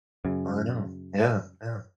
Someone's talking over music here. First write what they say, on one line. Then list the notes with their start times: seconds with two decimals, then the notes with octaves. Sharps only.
I know. Yeah, yeah.
0.25 F#2 C#3